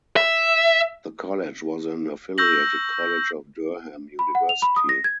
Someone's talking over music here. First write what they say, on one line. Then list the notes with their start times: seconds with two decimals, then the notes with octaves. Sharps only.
The college was an affiliated college of Durham University.
0.16 E5
2.38 C#6 E6 G6 A#6 F#7
4.19 B5
4.35 F#5
4.49 F7
4.62 B5
4.76 D#6
4.89 A#6
5.04 G#6